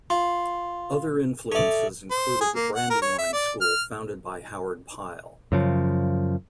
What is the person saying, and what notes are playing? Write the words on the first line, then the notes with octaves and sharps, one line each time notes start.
Other influences included the Brandywine School founded by Howard Pyle.
F4 C6
A4 C#5 D5 E5
C5
G#4
A#3
F#5
A#4
C#5
E5
D5
F6
F#2 C#3 F3